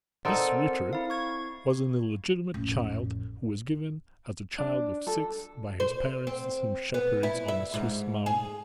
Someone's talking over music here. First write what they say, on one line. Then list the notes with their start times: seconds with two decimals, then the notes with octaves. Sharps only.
This Richard was an illegitimate child who was given as a child of six by his parents to some shepherds on the Swiss mountains.
0.25 C4 D#4 A4 A#4 D5 F#5
0.93 E4 F5
1.10 C#6 G#6
2.54 A1 F2
4.58 D4
5.07 A4
5.80 C5
6.27 C4
6.94 B3
7.23 E4
7.48 E5
7.74 G#2
8.26 G#4